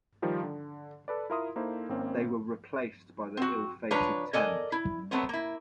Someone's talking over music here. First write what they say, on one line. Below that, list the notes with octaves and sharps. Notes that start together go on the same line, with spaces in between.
They were replaced by the ill-fated Thames.
D#3 F3 G3 F4
D3
A4 B4 D5
E4 F4 A#4 E5 C6 D#6
A#3 D#4 E4 A4 C5
G#1 A#3 C4 C#4
C4 F#4
F3 D4 B4 C#5 A#5
A4 A#4 D5 D#5 G#5
E4
F#3 A3 B3 C4 C#5
A#3 E4